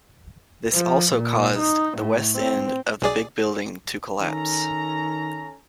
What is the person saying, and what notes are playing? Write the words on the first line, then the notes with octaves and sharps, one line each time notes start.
This also caused the west end of the big building to collapse.
F3
A#2
D#4
A2
C4
B1 G#4 D5
D#3 C#4 A4 A#5